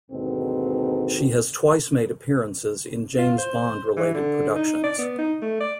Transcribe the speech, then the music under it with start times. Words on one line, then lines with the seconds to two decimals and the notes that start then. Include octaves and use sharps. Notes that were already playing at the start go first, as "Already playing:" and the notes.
She has twice made appearances in James Bond-related productions.
0.11 D#2 G#2 B2 D3 C4
3.19 F4
3.38 C5
3.96 E3
4.14 D3
4.55 D#4
4.84 D5
4.98 B3
5.18 D#4
5.42 A3
5.60 D5